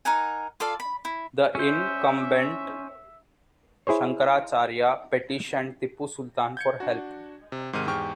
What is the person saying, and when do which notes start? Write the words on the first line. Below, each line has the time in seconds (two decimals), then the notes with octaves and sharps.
The incumbent "Shankaracharya" petitioned Tipu Sultan for help.
0.05 D#4 A#4 F#5 G#5
0.60 F4 A4 D5 F5
0.80 B5
1.05 E4
1.55 C#4 C5 E5
3.87 E4 G#4 C5 C#5
6.57 G6 G#6 C#7
6.80 D4 F#4
7.52 C3
7.73 G#2 C3 D#3 F6 D#7
7.87 E2 G#2 G4 G5 C#6 F6